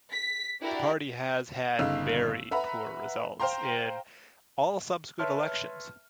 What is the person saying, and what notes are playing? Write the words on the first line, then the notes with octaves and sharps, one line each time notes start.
The party has had very poor results in all subsequent elections.
B6
D4 E4 F#4 G4 A#4 D5
G1 C#3 D#4 F5 E6
B4 E5 F#5 A#5 B5
C5 F5 G5 A#5 C6
B4 C#5 E5 A5 C6 F6